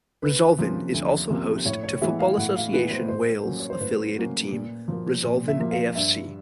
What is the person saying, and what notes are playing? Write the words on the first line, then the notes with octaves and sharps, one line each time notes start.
Resolven is also host to Football Association Wales affiliated team Resolven AfC.
D2 B4
C3 F3 A#3 C#4
D2
C3 F3 A#3 C#4
A2 C#5
C#5
E3 G#3 B3 E5
F5
A2 F#5
F5
E3 G#3 B3 B4
C5
A2 C5
F#3 A#3 C#4
C#5
C5
A2 B4
F#3 A#3 C#4
A#2
F3 A#3
A#2
E5
F3 A#3
F5
G2 E5